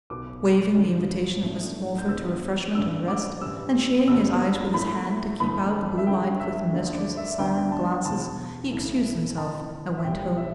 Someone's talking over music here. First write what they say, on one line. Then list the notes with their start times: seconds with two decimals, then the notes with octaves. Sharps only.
Waiving the invitation of Mrs. Morpher to refreshment and rest, and shading his eyes with his hand to keep out the blue-eyed Clytemnestra's siren glances, he excused himself, and went home.
0.10 B1 B2 B3 D6
0.77 G1 G2 D3
1.43 A1 A2 A3 D4
1.98 G6
2.09 D2 D3 B3 E4 E6
2.75 A1 G2 D3 A3 D4 E6
3.08 D6
3.41 A1 G2 G3 E6
4.08 G1 G2 G3 E6
4.74 A2 A3 E4 B5
5.40 G1 G2 E3 B5
5.98 E5
6.07 G1 G2 D3 G5
6.40 E5
6.72 D2 D3 A3 D4
6.95 D5
7.17 E5
7.39 D2 D3 B3 D4 G5
7.72 A5
8.05 E2 B2 B3 A5
8.71 B1 A2 E3 A3 E4
9.38 A1 A2 E3 A5
9.98 E5
10.04 B1 A2 G3 G5
10.37 E5